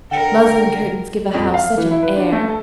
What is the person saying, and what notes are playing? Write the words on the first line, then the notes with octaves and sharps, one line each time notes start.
Muslin curtains give a house such an air.
D3 A#4 F#5 G5 C#7
F2
F5
E3
E4
B4
D4
A3
A4